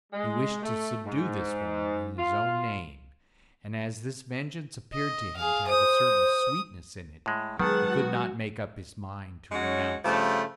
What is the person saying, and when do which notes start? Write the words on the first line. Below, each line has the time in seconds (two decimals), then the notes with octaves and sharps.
He wished to subdue this woman in his own name; and as this vengeance appeared to him to have a certain sweetness in it, he could not make up his mind to renounce it.
0.13 G#3
0.63 A3
1.05 G#2
2.17 F4
4.93 D#5
5.36 G#4 F5
5.67 C5 D#6
7.26 A2 G#3
7.59 D#3 F#3 G#3 B3 G#4 F#5 A5
7.90 F#4
9.51 G#3 C#4 D#4 F#4 C#5
10.03 G2 C#3 F3 A3